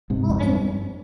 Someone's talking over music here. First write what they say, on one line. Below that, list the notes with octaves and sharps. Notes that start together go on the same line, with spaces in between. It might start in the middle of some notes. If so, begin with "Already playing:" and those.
Well, and
G#2 C3
F2 G#2
G2